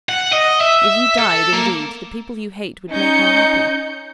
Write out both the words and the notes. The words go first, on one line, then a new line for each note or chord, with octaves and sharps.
If you died, indeed, the people you hate would make her happy.
F#5
D#5
E5
A4
A#3
C#4 D#4 G6 C#7